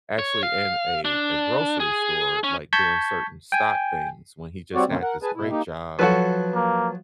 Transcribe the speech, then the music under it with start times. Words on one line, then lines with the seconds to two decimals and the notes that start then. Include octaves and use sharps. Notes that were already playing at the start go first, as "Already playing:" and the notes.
actually in a a grocery store, like, doing certain stock things when he just had this great job,
0.19 C#5
0.43 F5
1.05 D4
1.80 G#4
2.44 C#4
2.73 A5 C#6 G6 G#6 B6
3.52 G5 G#5
4.75 G3 C4 F#4 C#5 D5
4.88 B2 D3 D#3 A#3 C4 C#4
5.02 A#4 F#5
5.23 G#4 B4 G#5 A5
5.35 B2 E4
5.50 A#3 D#4 G4
5.99 F3 F#3 F#4 A4 B4
6.55 A#3